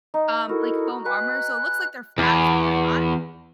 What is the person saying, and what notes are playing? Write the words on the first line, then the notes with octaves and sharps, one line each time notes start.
um, like foam armor, so it looks like they're flats, but they're not.
D#4
E4 F#4 A4 A#4
B4 F#5 G#5 F#6
E2